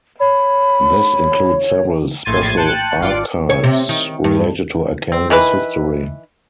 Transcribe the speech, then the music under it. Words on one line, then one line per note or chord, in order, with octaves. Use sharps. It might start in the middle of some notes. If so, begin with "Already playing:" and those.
This includes several special archives related to Arkansas history.
C#5 B5
A#1 A2 C6 G#6 A6 D#7
G5 A5 F#6 C#7
G#1 F4 D5
C#5
C3
D#3
G2
C4
D#3 E3 E4 B4